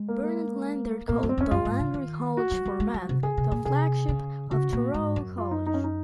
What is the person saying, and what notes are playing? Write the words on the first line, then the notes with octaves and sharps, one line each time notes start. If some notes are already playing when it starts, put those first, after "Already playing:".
Bernard Lander called the Lander College for Men the "flagship" of Touro College.
Already playing: G#3
A#3
A#3
A#2 A#3
C4
F#2
C4
F2 C#4
F#2 F4
G#2
C#3
D#3
F#4
F#3
F#3
G#3
F#3
C3
C#3 G#4
C3
A#2
C3 G#4
C#3
C#3 F#4
A#2
G#2
F#2
F4
D#4
D#4
C#4
D#4